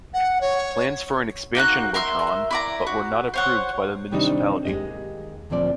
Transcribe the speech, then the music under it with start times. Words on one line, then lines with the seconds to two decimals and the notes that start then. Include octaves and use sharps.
Plans for an expansion were drawn, but were not approved by the municipality.
0.13 F#5
0.40 C#5
1.55 A#3 D#4 F#4 F#6
1.94 A#4 E5 C6
2.51 E4 D5 A#5
2.87 F#4
3.34 C5 C#5 F#5
4.11 C3 D#3 G3 C4 D4 D#4
4.65 D#2 G#3 F#4 G4 D#5
5.50 D2 A#2 F3 C4 D5